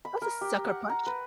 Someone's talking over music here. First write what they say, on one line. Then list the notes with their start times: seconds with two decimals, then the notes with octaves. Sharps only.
That's a sucker punch.
0.05 B5
0.22 A#4
0.41 G4
0.65 F#5
0.89 A#5
1.07 B4